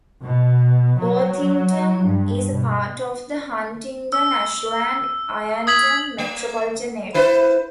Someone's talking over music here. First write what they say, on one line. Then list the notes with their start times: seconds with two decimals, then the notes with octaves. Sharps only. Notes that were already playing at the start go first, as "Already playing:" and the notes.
Worthington is a part of the Huntington-Ashland-Ironton metropolitan area.
0.23 B2
0.98 F#3
2.04 G2
2.50 B2
4.13 E6
5.67 D#6 G#6 B6 F#7
6.18 A#3
7.14 E4 B4 C5